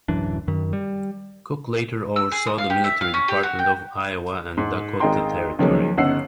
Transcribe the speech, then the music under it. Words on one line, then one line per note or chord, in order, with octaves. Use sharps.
Cook later oversaw the military Department of Iowa and Dakota Territory.
D1 F#2 E3 D4
F#2 D#3
G3
E6
G#4
D#6
F5
G4
E5
F5
C#4
G4
F#4
G5
G#2
G#1 G#3 D#4 A#4 G5 C6
C#2 D#3 F3 F#3 G#3 A#3
G1 C#3 D#4 F#5 E6 C7